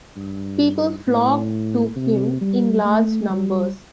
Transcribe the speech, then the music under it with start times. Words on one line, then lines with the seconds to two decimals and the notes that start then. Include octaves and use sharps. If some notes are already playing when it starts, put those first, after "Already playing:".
People flocked to him in large numbers.
0.16 G2
1.07 A2
1.96 C3
2.41 G3
2.85 A3
3.30 G3